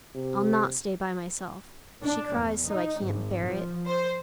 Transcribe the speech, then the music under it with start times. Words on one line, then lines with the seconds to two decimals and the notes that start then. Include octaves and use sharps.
'I'll not stay by myself. She cries so I can't bear it.
0.15 C3
2.02 D4
2.36 E2
2.67 D#4
3.00 G#1
3.45 F3
3.86 C5